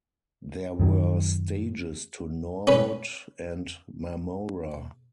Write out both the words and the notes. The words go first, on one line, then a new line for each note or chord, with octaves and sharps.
There were stages to Norwood and Marmora.
F#2 D#3 F#3
C#4 B4